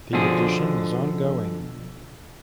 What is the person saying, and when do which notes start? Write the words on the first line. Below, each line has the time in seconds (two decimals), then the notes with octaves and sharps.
The edition is ongoing.
0.13 B2 D3 F3 G#4